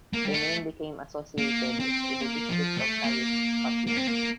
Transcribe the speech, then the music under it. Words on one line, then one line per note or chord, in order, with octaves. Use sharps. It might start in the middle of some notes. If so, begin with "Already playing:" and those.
The name became associated with the district of Carrick, Scotland.
A#3
G3
A3
A#3
C4
A#3
F3
A3
A#3
A#3
C4
A#3